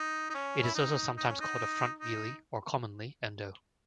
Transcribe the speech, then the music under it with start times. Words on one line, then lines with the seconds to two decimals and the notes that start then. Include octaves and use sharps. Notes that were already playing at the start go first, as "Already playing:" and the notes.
It is also sometimes called a front wheelie, or commonly endo.
Already playing: D#4
0.30 D#4
0.34 C#4
0.63 E4
0.75 D#4
1.16 D#4
1.28 C#4
1.40 D#4
1.98 D#4